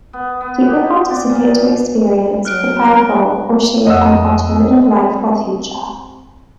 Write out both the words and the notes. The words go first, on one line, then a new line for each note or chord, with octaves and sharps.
People participate to experience, prepare for or shape an alternative life or future.
B3
B3
G4
D5
A#2
F#3 F6 F#6 D7
F2 D#5 F#5 E6
C4